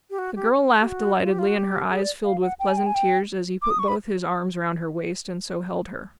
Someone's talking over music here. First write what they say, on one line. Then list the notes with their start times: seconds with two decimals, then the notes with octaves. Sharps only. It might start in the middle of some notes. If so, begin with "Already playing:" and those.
The girl laughed delightedly, and her eyes filled with pleasant tears, as he put both his arms round her waist and so held her.
0.10 G4
0.18 F#4
0.36 G4
0.81 G4
0.87 F#4
1.22 F4
1.31 G4
1.39 F4
1.47 F#4
1.56 G4
1.91 G#4
2.02 D5
2.24 F5
2.42 F#5
2.59 G5
2.68 G#5
2.77 G5
2.86 G#5
2.95 G5
3.62 D6
3.70 D#6
3.79 C#6
3.88 B5